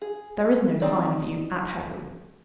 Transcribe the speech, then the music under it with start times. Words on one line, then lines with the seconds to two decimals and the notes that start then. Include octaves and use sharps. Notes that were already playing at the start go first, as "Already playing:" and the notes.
There is no sign of you at home.
0.02 G#4
0.82 C4 D#4 D5